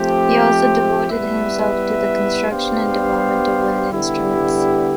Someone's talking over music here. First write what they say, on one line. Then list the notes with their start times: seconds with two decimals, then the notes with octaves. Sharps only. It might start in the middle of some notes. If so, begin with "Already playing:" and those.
He also devoted himself to the construction and development of wind instruments.
Already playing: F3 A3 C4 G4
1.09 G3 B3 E4 B4 E5
2.49 B3 D4 G4 C5 F5
3.90 D3 G3 B3 E4 G4